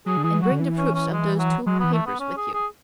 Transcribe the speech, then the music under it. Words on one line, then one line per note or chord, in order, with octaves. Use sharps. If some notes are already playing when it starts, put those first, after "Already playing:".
And bring the proofs of those two papers with you.
F#3 G#4
D3
E3 G#4
F#3 F#4
D3
E3
C#4
C#4
G#3
F#3
F#3 G#3
E3 B3
A3
B3
C#4
G#4
G#4